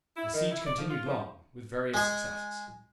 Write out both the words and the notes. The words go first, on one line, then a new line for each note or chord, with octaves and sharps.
The siege continued long, with various success.
E4
D#3
E4
D5
F3
F4
F3
G#3 G#4